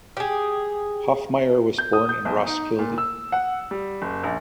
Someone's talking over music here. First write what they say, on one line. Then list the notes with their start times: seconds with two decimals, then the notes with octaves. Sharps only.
Hoffmeyer was born in Roskilde.
0.17 G4 G#4
1.78 G6
1.93 D#6
2.09 G6
2.25 B1
2.46 D#4
2.79 A#2
2.98 E6
3.32 F#5
3.71 G3
4.02 F#1
4.23 A#1